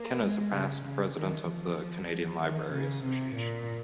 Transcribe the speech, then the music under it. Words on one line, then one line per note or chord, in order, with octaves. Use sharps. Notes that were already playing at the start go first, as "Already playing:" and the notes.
Ken is a past president of the Canadian Library Association.
Already playing: A#3
G#3
C#3
C#3
D#3
F3
D#3
C#3
C3
A#2